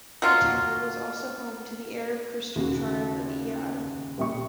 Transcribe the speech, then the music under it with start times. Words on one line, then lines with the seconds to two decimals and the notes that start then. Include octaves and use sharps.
The town was also home to the Arab Christian tribe of Iyad.
0.22 F#3 F4
2.56 D#2 C#3 F#4
4.18 A#2 G3 E5 C#6